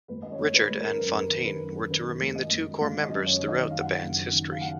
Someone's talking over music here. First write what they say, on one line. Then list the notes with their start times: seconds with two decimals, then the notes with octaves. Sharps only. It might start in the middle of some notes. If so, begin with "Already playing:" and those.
Richard and Fontaine were to remain the two core members throughout the band's history.
0.08 G#1 B4
0.22 D#5
0.32 C#5
0.39 G#1
0.54 B4
0.69 G#1
0.77 A#4
0.99 F#2 B4
1.09 A#4
1.18 B4
1.29 D#3
1.45 B4
1.59 F#2
1.90 D#3 B4
2.21 G#1
2.35 D#5
2.50 G#1
2.80 G#1 F5
3.03 D#5
3.10 F#2
3.26 C#5
3.41 D#3
3.48 D#5
3.71 F#2 F5
3.80 F#5
3.89 F5
4.00 F#1
4.31 D#3
4.51 F5
4.61 F#5